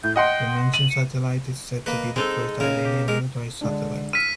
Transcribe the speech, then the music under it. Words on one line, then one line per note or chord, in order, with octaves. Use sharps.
The mentioned satellite is said to be the first Iranian military satellite.
A2 G6
D#5 F#5 G5 C6
D#7 F#7
C#7
A#3 B4 D#5
G#3 C4 D#4 A4
C#3 A#4 G#5
G4
G#3 A#4
D3 G#3 D4
E6 F6 B6 D#7